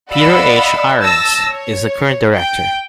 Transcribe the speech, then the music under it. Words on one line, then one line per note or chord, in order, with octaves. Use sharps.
Peter H. Irons is the current director.
D5 D#5 F5 F#5 B5 E6
A5 E6 A#6
C#5
G5